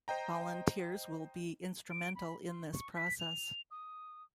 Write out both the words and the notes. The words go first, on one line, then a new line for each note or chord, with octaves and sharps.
Volunteers will be instrumental in this process.
C5 D#5 G5 A#5
D7
B5
C6
C#6
B6
F7
D#6